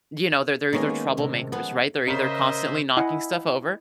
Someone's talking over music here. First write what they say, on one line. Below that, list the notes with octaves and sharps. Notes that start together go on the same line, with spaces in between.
you know, they're they're either troublemakers, right? They're either constantly knocking stuff over
D#3 G#3 A#3 B3 C#4 G#5
D#2 A2 C3
F3 G#3 B3 G#4
C#3 A#4 C5 D#5 E5 B6
E4 D#5 F#5 G#5